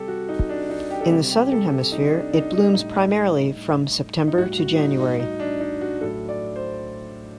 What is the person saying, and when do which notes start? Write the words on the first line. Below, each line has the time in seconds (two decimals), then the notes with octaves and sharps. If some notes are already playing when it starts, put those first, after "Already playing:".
In the Southern Hemisphere it blooms primarily from September to January.
Already playing: C3 G3 G4 A4
0.08 F#4
0.29 D#4
0.49 D4
0.70 D#4
0.90 G4
1.01 A4
1.10 C3 G3 G4
1.31 G4
1.52 A4
1.72 G4
1.92 D#4
2.12 D4
2.33 D#4
2.54 D#4
2.74 A2 G3 D#4
4.28 D#4
4.38 A2 G3 F#4
4.58 F#4
4.79 D#4
5.00 D#4
5.20 D#4
5.40 D4
5.60 D#4
5.81 F#4
6.01 A2 F#3 A4
6.29 D5
6.56 C5